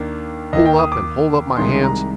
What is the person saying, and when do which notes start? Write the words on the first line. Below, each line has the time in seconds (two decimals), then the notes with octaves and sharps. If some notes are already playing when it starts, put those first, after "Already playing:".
Pull up and hold up my hands?
Already playing: D#2 D#3 A#3 D4
0.53 D#2 D#3 A#3 D#5
0.66 G5
0.79 D#6
0.92 D6
1.57 C2 C3 D#3 G#3 C6
1.83 A#5